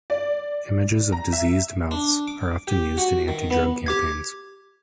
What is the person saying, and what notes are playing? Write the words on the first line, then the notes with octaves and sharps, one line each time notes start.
Images of diseased mouths are often used in anti-drug campaigns.
D5
A#5
E5
D4
D6
G4
F#4
D#3
B3
G4 D6 G#6